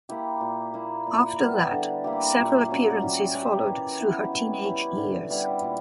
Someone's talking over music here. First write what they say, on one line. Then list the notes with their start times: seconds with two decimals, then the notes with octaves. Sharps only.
After that, several appearances followed through her teenage years.
0.09 A#3 E4 G4
0.41 A#2
0.74 A#3 E4
1.07 A#2
1.39 G3 B3
1.71 D3
2.04 A#3 E4 G4
2.37 A#2
2.69 F#3 A#3 C#4
3.02 G3
3.35 C#4 G4
3.67 E3
4.00 B3 E4
4.32 G3
4.65 C#4 E4 G4
4.97 D3
5.30 G3 B3 E4
5.62 A#2